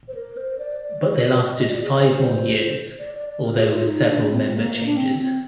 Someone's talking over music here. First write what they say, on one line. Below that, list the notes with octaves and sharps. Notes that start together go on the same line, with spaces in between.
But they lasted five more years, although with several member changes.
C5
A#4
C5
D5
D5
D5
D#5
D5
G#4
C5
D5
D5
D5
A#4
G#4
F4
D#4
D4
C4
A#3
A#3
D4
C4
C4